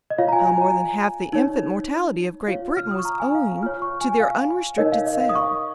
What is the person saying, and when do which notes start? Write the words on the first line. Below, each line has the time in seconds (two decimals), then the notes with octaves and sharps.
How more than half the infant mortality of Great Britain was owing to their unrestricted sale.
0.10 D#5
0.18 F4 C#5 F5
0.28 A#5
0.33 G#5
0.47 G#5
0.62 A#5
1.33 D#4 C#5
2.48 F4 C#5 F5
2.77 F6
2.91 D#6
2.99 C#6
3.05 A#5
3.20 G#5
3.35 F5
3.63 F4 C#5 F6
3.82 C#6
4.01 G#5
4.12 G#5
4.20 F5
4.78 D#4 A#4 C#5 D#5
4.92 F5
5.07 D#5
5.21 F5
5.29 D#6
5.35 C#6